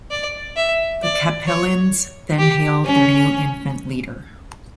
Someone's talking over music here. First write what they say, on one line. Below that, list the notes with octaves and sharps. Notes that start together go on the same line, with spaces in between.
The Capellans then hail their new infant leader.
D5
E5
D5
C#5
G4
C#4